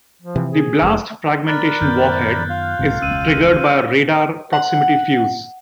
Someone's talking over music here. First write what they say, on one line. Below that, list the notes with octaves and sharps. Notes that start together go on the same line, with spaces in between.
The blast-fragmentation warhead is triggered by a radar proximity fuze.
F3
C3 E3
G#4
F1
A#4 D5 B5 F6 F#6 A6
F#2 D#3 B3 G6
F4 F5
B1 G#2 C3
E1 C#2 C#4 E6 D#7
F#5